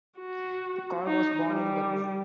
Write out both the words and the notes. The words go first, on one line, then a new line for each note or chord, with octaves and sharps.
Carr was born in Dublin.
F#4
D#4
G3